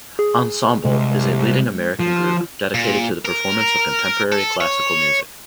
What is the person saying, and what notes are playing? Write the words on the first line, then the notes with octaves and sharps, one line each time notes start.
Ensemble is a leading American group dedicated to the performance of contemporary classical music.
G#4
C2 G#3
F3
A#2
A#4
A4
C#5